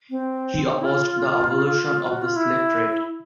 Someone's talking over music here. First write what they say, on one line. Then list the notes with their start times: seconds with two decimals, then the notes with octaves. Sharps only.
He opposed the abolition of the slave trade.
0.10 C4
0.81 E4
0.85 F4
2.08 F#4
2.22 F4
2.36 E4